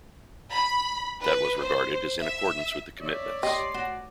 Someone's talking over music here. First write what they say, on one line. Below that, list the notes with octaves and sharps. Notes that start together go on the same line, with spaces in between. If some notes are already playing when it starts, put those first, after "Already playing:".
That was regarded as in accordance with the commitments.
B5
B4
C5
E5
C#5 D5 E5
G4 D#5 C6
F#4